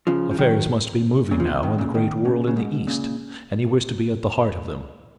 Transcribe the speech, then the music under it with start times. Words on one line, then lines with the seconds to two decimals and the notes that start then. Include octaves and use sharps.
Affairs must be moving now in the great world in the east, and he wished to be at the heart of them.
0.07 C#3 F3
0.31 F3
0.39 D#3 F#3
1.31 A#2 C#3
1.40 F3
1.47 B2 D#3
1.63 B2 D#3
1.78 A#2 C#3
1.94 B2 D#3
2.25 A#2 C#3
2.47 C#3
2.56 G#2 B2
2.87 A#2 C#3